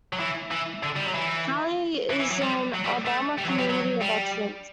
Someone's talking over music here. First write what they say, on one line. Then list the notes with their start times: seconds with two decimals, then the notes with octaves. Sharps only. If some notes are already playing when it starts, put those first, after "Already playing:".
Valley is an "Alabama Community of Excellence".
0.13 F#3
0.20 E3
0.51 E3
0.83 D3
0.96 G3
1.06 F#3
1.15 E3
2.10 E3
2.20 E3
2.31 F#3
2.42 G3
2.74 F#3
2.85 G3
3.06 A3
3.38 G3
3.44 E3
3.49 F#3
3.59 G3
3.70 F#3
4.01 G3